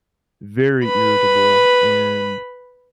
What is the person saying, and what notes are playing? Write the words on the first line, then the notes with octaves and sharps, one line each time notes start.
very irritable, and,
B4 B5